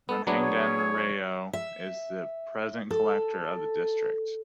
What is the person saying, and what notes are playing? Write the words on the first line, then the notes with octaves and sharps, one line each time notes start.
Ranghunandan Rao is the present collector of the district.
B3 A4
F#3 B3 D4 G#4
C#5
E5
A4